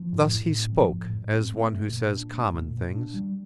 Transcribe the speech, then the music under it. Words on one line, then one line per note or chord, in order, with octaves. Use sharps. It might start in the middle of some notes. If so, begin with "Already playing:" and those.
Thus he spoke, as one who says common things.
Already playing: F3
A2
A2
C4
F3
A2
A2
C4
A3
A#2
A#2
D4
A3
A#2
A#2
D4
G3